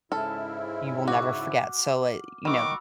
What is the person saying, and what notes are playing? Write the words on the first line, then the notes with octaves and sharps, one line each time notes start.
you will never forget, so, uh, you know,
G#2 C#3 E4 A4 F6
F#4 D6
D#3 F#3 B3 F#4 B5 C#6 D6 E6